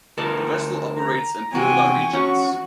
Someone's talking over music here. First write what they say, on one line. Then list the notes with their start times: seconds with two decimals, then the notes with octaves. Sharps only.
The vessel operates in polar regions.
0.18 D2 A4 A#4 D5 D#5 A5
0.96 A#5
1.55 C3 F#4 G5 G#5 C#6
2.13 F#3 C#4 F#4